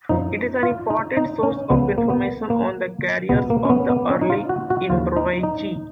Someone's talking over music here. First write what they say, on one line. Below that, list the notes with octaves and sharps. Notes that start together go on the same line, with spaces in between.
It is an important source of information on the careers of the early Embriachi.
F#2 F3 D#4
F4
D#4
D#4
C#4
C#2 C#3 F3 B3
A#3
B3
A#3
C#2 B2 B3
A#3
C#4
B3
B3
C#4
D#4
F4
F#4
F#4
D#2 C#3 F3 F4
D#4
D#4